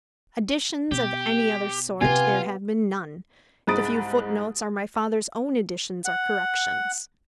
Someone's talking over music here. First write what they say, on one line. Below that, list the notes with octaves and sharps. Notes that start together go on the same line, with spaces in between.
Additions of any other sort there have been none; the few footnotes are my father's own additions or corrections.
B2 G4
C3 B3 C4 F4 G4 G#5
C2 G#2 B5 D#6 A6 D7
F#5